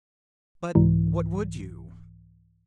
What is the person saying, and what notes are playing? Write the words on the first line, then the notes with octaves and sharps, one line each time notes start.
But what would you?
C2 G#2 E3